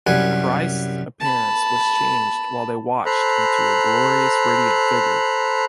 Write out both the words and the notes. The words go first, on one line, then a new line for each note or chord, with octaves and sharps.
Christ's appearance was changed while they watched into a glorious radiant figure.
C2 F#2 G3 F#5 G#5
A5 B5
A4 C5 A#5 B5 F#6